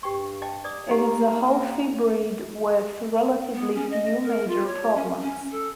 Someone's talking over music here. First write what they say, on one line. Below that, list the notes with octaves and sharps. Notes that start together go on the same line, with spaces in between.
It is a healthy breed with relatively few major problems.
G2 G4 G5 C#6
D#5 G5 A5
D5 D6 D#6
A#3 D#4 G4
B3
C#4
D#5
A#4
F4
C#5
C#4
C#4
A4